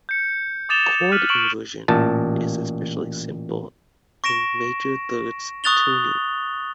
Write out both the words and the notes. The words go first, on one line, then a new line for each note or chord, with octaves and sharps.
Chord inversion is especially simple in major-thirds tuning.
G6 C#7
D6 D#6 A6 E7 F7 G7
F6 F#6 B6 D#7 F#7
C#6 D7 E7 F#7
A1 A#2 A5
C#6 A#6 D7 E7
C#6 D#6 F#6 A6 F7 G7